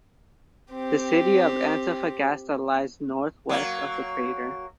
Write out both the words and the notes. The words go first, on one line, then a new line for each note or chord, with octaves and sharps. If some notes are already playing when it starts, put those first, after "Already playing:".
The city of Antofagasta lies northwest of the crater.
C4 G4
F#3 A#3